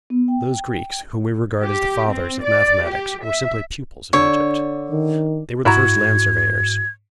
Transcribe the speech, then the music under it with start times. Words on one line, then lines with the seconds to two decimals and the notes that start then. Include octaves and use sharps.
Those Greeks whom we regard as the fathers of mathematics were simply pupils of Egypt. They were the first land-surveyors.
0.10 B3
0.28 G5
1.63 G4
2.11 C4
2.45 D5
2.86 G4
3.24 E5
4.13 D3 C#5
4.91 D#3
5.65 G#2 E4 F#4 A#5 G#6